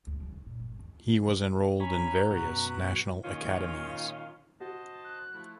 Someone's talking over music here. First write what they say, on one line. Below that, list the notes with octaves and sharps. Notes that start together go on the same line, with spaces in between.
He was enrolled in various national academies.
D2
C#3 F#3
D#2
A#2
G1
D#2
C#4 G#5 A#5 B5
F#2 B2 F#4
A#2 D#3 C#4 F4
F#4 C5 D#5 A5
F#6
F3 A3 E4